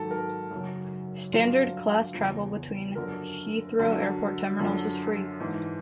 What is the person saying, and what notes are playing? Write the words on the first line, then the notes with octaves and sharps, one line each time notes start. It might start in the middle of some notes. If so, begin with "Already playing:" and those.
Standard-class travel between Heathrow Airport terminals is free.
Already playing: G#2 D#3 F#3 A4
A#4
F#2 C#3 F#3
G2 D3 F#3 F4
E2 C#3 F3
F#2 D3 F3 A#4
F#2 D3 F#3
F#2 D3 F3
G#2 E3